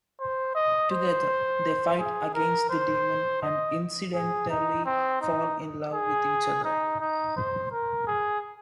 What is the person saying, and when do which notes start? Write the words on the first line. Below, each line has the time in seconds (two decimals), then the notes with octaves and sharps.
Together, they fight against the demon and incidentally fall in love with each other.
0.20 C5
0.55 D#5
0.91 C5
1.99 G#4
2.35 A#4
2.70 C5
3.43 D#5
4.14 G#4
4.50 D#4
4.86 C4
5.21 D#4
5.93 G#4
6.64 D#4
7.00 D#4
7.37 C5
7.72 A#4
8.07 G#4